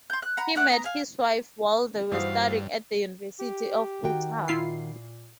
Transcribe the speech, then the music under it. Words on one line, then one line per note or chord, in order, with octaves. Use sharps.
He met his wife while they were studying at the University of Utah.
C6 G6
F#6
F#5 A#5 B5
A3 D5 F#5 F#6
B3 A#5
F5 G#5
G2 E3 D#4 F#4 C5 C#5 F5 D#6
G4
D#3 F#4 G5
A#2 E4 F4 C7